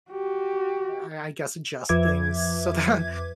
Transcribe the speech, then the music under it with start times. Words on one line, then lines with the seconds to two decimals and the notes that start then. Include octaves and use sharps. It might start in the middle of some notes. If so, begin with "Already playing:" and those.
I I guess adjust things so that
0.11 F#4 G4
1.89 F2 F3 B4 E5 D6 G#6